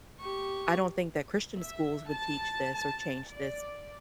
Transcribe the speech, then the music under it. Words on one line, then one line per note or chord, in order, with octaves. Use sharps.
I don't think that Christian schools would teach this or change this,
G4 C#6
E5
A5
A5
D5